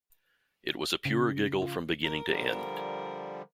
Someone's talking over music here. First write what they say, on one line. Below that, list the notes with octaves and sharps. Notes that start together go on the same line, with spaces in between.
It was a pure giggle from beginning to end.
C#3
F4
A#4
D3 F3 G3 A#4